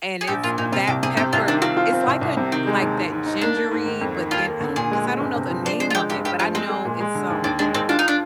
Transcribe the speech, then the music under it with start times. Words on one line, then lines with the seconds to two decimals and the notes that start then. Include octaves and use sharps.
and it's that pepper, it's like a d like that gingery, but then I don't 'Cause I don't know the name of it, but I know it's, um
0.21 G#4
0.27 A#1 G4
0.44 A#2 F4
0.58 A#2 D#4
0.72 C3 F4
0.87 C2 G4
1.03 C3 G#4
1.17 C3 G4
1.33 C2 F4
1.47 D#3 D4
1.62 C4 F4
1.77 F4
1.93 C4
2.07 C2
2.21 C2
2.37 C3
2.52 D#3 C4
2.67 G#3
2.82 D#2
2.97 G#2
3.12 G#2
3.26 D#4
3.41 A#3 D4
3.56 A#3
3.71 G#2
3.86 D#3
4.01 F2
4.16 D#3
4.31 D#2 F4
4.46 A#3
4.60 D3
4.76 A#2 G#4
4.91 G#3
5.06 G#3
5.20 G1
5.36 C3
5.50 F3
5.65 D4 C5
5.80 G#3 C5
5.90 F4
5.95 G#3 G4
6.10 G2 G4
6.25 G2 G4
6.39 F3 F4
6.54 G#3 C4
6.69 G#4
6.85 A#2
7.00 G#3
7.15 D3
7.30 D#2
7.44 D#2 D4
7.59 G#3 D4
7.74 D#2 C4
7.89 D4 F4
7.99 D#4
8.08 D4